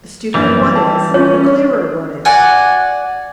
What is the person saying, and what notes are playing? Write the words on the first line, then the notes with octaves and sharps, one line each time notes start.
The stupider one is, the clearer one is.
A#1 F#2 E3 G3
G5 A5
C#4 F4 C#5
F#4 D5 F#5 G#5